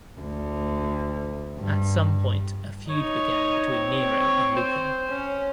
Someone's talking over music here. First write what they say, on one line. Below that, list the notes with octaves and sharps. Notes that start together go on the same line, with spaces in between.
At some point, a feud began between Nero and Lucan.
D2
G2
D#4 C#5
C4
C5
C#4